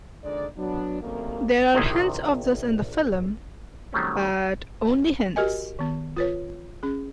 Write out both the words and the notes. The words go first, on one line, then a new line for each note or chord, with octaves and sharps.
There are hints of this in the film, but only hints.
A#1 D3 G#3 D#4 D5
F#3 B3 D4
F#2 C3 D#3 G3 A3 A#3
A#1 C3 D#3 D#4 E4 G#4
D#3 F#3 G3 A3 C4 C#4
F#4 G4 A#4 D#5 G#5
D#3 B3
F4 B4 C#5
C#4 G#4